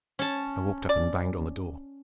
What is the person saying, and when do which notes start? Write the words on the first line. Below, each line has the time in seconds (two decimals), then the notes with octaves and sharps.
I walked up and banged on the door.
0.19 C#4 A5
0.89 D5